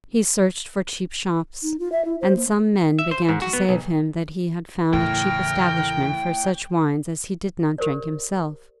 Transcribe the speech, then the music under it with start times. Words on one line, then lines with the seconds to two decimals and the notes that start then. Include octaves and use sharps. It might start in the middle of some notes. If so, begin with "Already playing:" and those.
He searched for cheap shops; and some men began to say of him that he had found a cheap establishment for such wines as he did not drink himself!
1.63 D#4
1.79 F4
1.92 E5
2.05 E4
2.21 C5
2.36 A#3
2.99 E5
3.11 C5
3.29 G#2
3.42 F#4
3.53 B3
3.69 B1
4.93 E2 A2 C#3 A#4 G5
7.78 G4 A#4 C5 D5